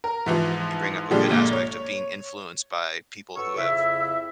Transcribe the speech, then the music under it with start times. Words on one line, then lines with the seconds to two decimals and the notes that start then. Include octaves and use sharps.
you bring up a good aspect of being influenced by people who have
0.04 A#4
0.26 G#2 E3 F3
1.11 A#2 D3 F3 G3 G#3
1.29 G1 A#2 A#3
1.53 C#5
3.36 F#4 A4 B4 C#5 C#6 E6
3.58 F2 C#3 E4 E5